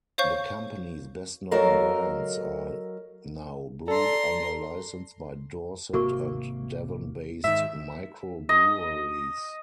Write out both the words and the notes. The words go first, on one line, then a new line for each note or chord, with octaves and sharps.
The company's best-known brands are now brewed under licence by Dorset and Devon-based micro-breweries.
C5 C#5 F5 C#6 G6
F#3 F#4 A4 A#4 D#5 F5
A4 D5 A#5 C6
G#1 C3 A#3 F#4 A#4 C#6
G#2 D#3 E5
D#5